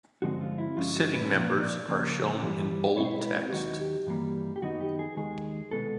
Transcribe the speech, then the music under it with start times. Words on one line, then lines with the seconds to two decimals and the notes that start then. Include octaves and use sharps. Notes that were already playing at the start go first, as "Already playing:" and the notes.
Sitting members are shown in bold text.
0.22 G2 D3 F3 G#3 C4 F#4
0.41 F4
0.58 E4
0.77 G2 D3 F3 G#3 C#4 F4
0.95 F#4
1.14 B4
1.33 A#2 F3 A#3
1.60 D5
1.86 C#2 C#3 F3 A#3
2.42 G2 E3 G3
2.96 B2 G#3 C4 E4 C#5
3.05 C5
3.11 B4
3.20 A#4
3.24 B4
3.38 F4
3.48 G4
3.52 D#2 D#3 F#3 F#4
3.80 G4
4.06 G2 E3 G3 A#3
4.56 G4
4.62 F#2 D#3 F#3 B3 D#4 F#4
4.81 G4
4.99 G#4
5.17 D#2 D#3 G#3 G#4
5.71 C2 B2 G#3 B3 A4